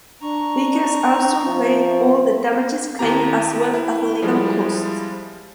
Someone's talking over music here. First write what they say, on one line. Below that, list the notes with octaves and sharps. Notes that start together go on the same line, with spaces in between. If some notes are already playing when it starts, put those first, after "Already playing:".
Vickers Armstrong paid all of the damages claimed as well as the legal costs.
D4 A#5 C#6
F3 E5
D#2 E4 G4 A#5
E4
F3 G3 G#3 E4